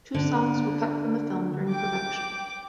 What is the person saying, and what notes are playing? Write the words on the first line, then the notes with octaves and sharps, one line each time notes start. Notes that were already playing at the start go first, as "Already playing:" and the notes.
Two songs were cut from the film during production.
D3
G5 D6